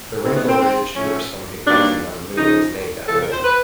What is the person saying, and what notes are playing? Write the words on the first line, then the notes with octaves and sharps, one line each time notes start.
The wrinkle ridge Dorsum Higazy on the Moon is named after him.
G#2 D#3 F#3 A3 C4
B3
C4
C4
A2 F3 A3 C#4
G2 D#3 F#3 A#3 D4
C#3 F3 G#3 D#4
F2 C#3 F3 A4
A#4
C5
B4